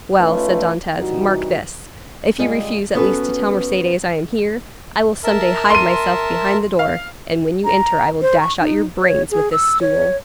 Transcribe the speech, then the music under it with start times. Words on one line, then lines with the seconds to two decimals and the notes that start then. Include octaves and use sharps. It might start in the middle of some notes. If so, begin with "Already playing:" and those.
"Well," said Dantes, "mark this; if you refuse at least to tell Mercedes I am here, I will some day hide myself behind the door, and when you enter I will dash out your brains with this stool."
0.20 A3 C#4 D#4 F4 B4
0.99 C3 E3 G3 D#4 F#4
2.39 G3 G#3 C4 F4 G#4
2.95 B3 C#4 F#4 G#4 A4 B4
5.24 A#4 E5 A5
5.70 C6 D#7
6.79 F5
7.65 A#5
8.22 C5
8.41 C#6
8.61 D#4
9.00 C#5
9.31 G#4
9.52 E6
9.81 C#5